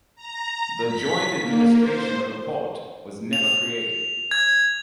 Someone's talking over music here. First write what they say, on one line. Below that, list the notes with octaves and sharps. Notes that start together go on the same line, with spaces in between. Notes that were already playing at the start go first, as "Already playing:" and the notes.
The joint administration of the port was never created.
A#5
B6
A#3
C5
F7
G#6